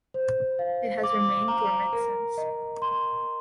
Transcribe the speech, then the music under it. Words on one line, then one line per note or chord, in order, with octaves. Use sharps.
It has remained dormant since.
C5
F5
D6
A#5
A#4
D#5
C6